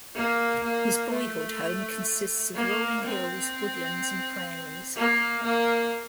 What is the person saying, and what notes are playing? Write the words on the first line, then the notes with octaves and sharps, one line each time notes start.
His boyhood home consists of rolling hills, woodlands, and prairies.
A#3
A#3
A3
A#3
C4
A#3
A#3